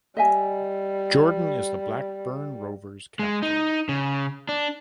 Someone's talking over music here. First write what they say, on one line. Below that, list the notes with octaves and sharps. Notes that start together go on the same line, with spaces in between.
Jordan is the Blackburn Rovers captain.
G3 D#5 E5 G#5
G#3
D#4
C#3
D4